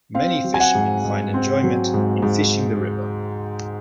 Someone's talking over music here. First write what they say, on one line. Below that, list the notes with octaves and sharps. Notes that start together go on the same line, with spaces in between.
Many fisherman find enjoyment in fishing the river.
C4 F5
F#3
G#5
F#5
G#2
G#2
C4
F#3
G#2
G#2